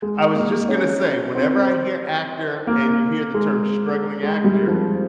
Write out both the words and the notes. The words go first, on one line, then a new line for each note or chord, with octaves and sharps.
I was just gonna say, whenever I hear actor, and you hear the term, "struggling actor,"
G#3
A#3
C#4
C4
A#3
G#3
G#3
G3
F3